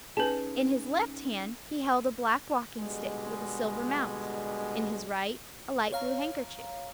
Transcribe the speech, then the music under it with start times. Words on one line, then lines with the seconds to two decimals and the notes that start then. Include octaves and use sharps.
In his left hand he held a black walking-stick with a silver mount, in his right a light blue handkerchief.
0.17 C#4 D#4 G#4 B4 A5
2.79 B2 D3 G3 G#3
5.92 C#5 F5 A#5